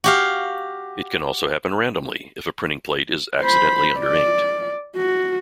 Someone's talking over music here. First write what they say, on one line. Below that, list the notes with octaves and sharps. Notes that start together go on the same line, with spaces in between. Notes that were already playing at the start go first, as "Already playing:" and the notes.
It can also happen randomly, if a printing plate is accidentally under-inked.
F#4 G4 F5
C5 B5
D5
F#4